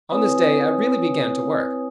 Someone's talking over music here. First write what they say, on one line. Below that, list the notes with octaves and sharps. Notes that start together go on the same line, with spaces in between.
On this day I really began to work.
C4 E4 B4 C#5 G#5 D#6